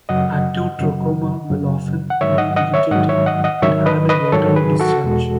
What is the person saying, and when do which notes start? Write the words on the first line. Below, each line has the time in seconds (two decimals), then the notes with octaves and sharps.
Active trachoma will often be irritating and have a watery discharge.
0.09 F#2 C#3 F#3 D#5 F#5
0.79 F#2 C#3 F#3
1.50 F#2 C#3 F#3
2.10 F#5
2.21 G#2 D#3 F#3 C#5 E5
2.38 D#5 F#5
2.56 D#5 F#5
2.74 C#5 E5
2.91 G#2 D#3 F#3 D#5 F#5
3.09 C#5 E5
3.26 D#5 F#5
3.44 D#5 F#5
3.62 G#2 D#3 F#3 C#5 E5
3.86 B4 D#5
4.09 B4 D#5
4.32 G#2 D#3 F#3 A4 C#5
4.56 G#4 B4
4.80 F#4 A4
5.04 E2 B2 G#3